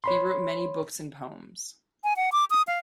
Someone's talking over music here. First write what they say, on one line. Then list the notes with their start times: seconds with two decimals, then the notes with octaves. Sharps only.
He wrote many books and poems.
0.04 C#5 B5 C6
2.04 G#5
2.16 F#5
2.32 D6
2.50 D#6
2.67 F5